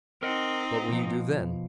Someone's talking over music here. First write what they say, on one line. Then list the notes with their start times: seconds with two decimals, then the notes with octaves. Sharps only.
"What will you do then?"
0.23 C4 D#4 A#4 D#5 F#5
0.88 B2 F3